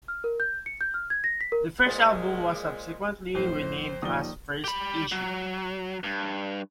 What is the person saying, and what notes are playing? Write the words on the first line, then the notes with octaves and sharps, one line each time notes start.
The first album was subsequently renamed as "First Issue".
F6
A#4
G6
C#7
G6
F6
G#6
A#6
B6
A#4
A#2 G#3 C5 D#5
F2 A2 C5
D#1 D#3 F3 D5 D#6 G7
G4 B5
F#3
G2